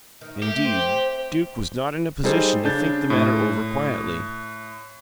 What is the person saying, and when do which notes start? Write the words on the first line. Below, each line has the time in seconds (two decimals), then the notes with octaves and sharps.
Indeed, Duke was not in a position to think the matter over quietly.
0.21 D#3
0.43 A3 G4
0.65 C4
2.24 G3 D#4 G#4 A4 C5
2.64 C#3 D4 G6 A6
3.10 A2